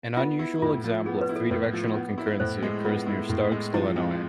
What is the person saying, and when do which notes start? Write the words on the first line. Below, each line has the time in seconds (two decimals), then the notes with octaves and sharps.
An unusual example of a three-directional concurrency occurs near Starks, Illinois.
0.17 B3 F4
0.39 E4
0.62 A2 F4
0.84 F3
1.06 B3 G#4
1.21 B4
1.29 E4
1.36 A4
1.51 A2 B4
1.73 F3
1.95 B3
2.18 E4
2.40 A2 C5
2.63 G#3
2.84 B3 F4
3.07 E4
3.29 A2
3.52 G#3
3.74 F3 E4
3.96 F2